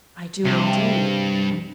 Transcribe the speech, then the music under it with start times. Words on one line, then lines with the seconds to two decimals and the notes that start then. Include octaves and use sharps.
"I do, indeed."
0.45 G2 C3